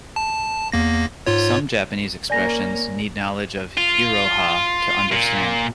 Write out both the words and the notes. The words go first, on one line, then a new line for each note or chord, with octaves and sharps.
Some Japanese expressions need knowledge of "iroha" to understand.
A5
E2 A#3 A#6
G#2 F4 C#5
A#3 C#4 D5 G#5 A#5 A#6
F4
A#2